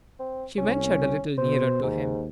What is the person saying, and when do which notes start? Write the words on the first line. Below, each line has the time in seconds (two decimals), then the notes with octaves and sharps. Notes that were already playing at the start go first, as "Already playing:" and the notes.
She ventured a little nearer to him.
0.20 C4
0.58 C2 C#4
1.38 B2 C5
1.83 D#2 G#2